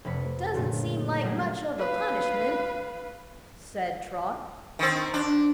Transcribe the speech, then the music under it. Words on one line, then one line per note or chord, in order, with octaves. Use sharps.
"It doesn't seem like much of a punishment," said Trot.
F1 C3 B4 B6 C#7
F#1 A#2 D3 A3 D#7
F#3 G3 A3 A#3 F#4 G#4
B4 F5
D#3 C4
D4